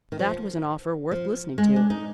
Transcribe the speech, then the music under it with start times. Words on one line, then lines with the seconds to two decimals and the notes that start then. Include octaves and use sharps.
That was an offer worth listening to.
0.12 D#3
0.19 F3
1.11 F3
1.58 G#3
1.76 D4
1.90 D#4